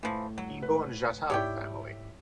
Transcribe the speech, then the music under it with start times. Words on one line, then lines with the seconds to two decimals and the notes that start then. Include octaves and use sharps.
He born Jatav Family.
0.03 A2 E3 F3
0.38 F#3 G3
0.62 A1 G#3 B4
1.30 G#2 E4 G4 C#5 D5 G5